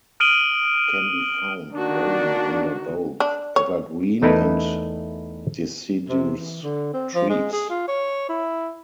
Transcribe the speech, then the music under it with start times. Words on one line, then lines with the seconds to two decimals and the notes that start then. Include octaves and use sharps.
It can be found growing under both evergreen and deciduous trees.
0.20 D#6 F6 D7 D#7 F#7 G7
1.74 D#3 A#3 D4 F#4
3.20 D4
3.56 C#5
4.22 E2 A3 D#4 E4 A#4 B4
6.09 C3
6.38 E3
6.62 D3
6.94 C4
7.14 F3
7.29 G#3
7.53 G#4
7.69 F4
7.88 C#5
8.29 E4